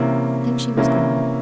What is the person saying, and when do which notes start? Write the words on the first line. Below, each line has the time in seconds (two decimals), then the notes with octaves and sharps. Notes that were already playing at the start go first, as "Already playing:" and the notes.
Then she was gone.
Already playing: C3 E3 A#3 C#4 E4
0.77 C3 E3 A#3 C#4 E4